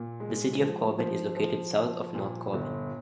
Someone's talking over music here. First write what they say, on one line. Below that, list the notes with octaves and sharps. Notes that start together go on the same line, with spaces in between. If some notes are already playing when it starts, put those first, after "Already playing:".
The city of Corbin is located south of North Corbin.
Already playing: A#2
G#3
F3
F3
F3
F3
A#2
G1